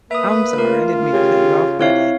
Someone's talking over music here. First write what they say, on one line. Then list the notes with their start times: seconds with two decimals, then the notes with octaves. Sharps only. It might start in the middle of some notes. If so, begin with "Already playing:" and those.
I'm sorry, I didn't mean to cut you off, but
0.11 A#3 B4 E5 D#6
0.58 A3 F4 A#4
1.12 C#3 G4
1.79 C3 C4 E4 C#5 F5